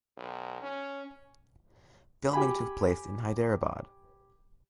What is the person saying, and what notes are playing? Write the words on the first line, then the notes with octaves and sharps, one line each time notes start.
Filming took place in Hyderabad.
B1
C#4
G4 G#5 B5